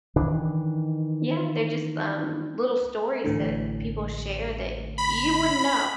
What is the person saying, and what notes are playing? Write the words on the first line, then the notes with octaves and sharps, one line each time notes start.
yeah, they're just, um, little stories that people share that you wouldn't know.
D#3 E3 D4
A1 A2 D3
B5